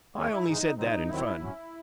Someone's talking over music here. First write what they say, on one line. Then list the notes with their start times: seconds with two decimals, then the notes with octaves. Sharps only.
"I only said that in fun."
0.16 D#2 D#3 G#3 C4 C#5
0.32 E4
0.47 G#2 E3 G#3 D#4
0.77 C3 F#3 C4 D#4
1.08 D#2 D#3 F#3 C4 E4
1.39 G#2 F#3 C#4